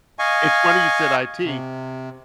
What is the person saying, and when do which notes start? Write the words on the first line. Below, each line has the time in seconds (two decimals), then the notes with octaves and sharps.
It's funny you said IT.
0.19 D#5 F5 G#5 C#6
1.45 C3